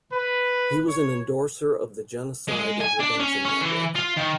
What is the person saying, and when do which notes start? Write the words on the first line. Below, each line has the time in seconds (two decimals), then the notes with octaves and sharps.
He was an endorser of the Genocide Intervention Network.
0.13 B4
0.88 C#5
2.48 G#3
2.81 G#5
3.00 D4
3.20 C#4
3.45 C#4
3.61 E3
3.95 F4
4.17 D#3